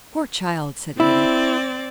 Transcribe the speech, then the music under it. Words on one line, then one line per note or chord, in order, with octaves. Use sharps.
'Poor child!' said Edith.
C4 E4 D5